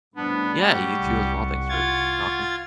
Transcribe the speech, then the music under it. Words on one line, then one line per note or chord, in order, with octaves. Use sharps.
Yeah, you too as well, thanks for talking.
A2 C#3 F3 G3 B3 D4
G3 F#5 C#6
C2
F4 G#6 A6